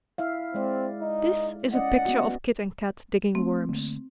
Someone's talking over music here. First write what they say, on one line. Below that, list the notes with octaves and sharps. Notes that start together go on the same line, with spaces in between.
This is a picture of Kit and Kat digging worms.
E4 E5 F5
G#3 C4 D5
D#4
C#4 D5 D#5 F#5
B3 F#4
A3 C4
D3 A3 A#3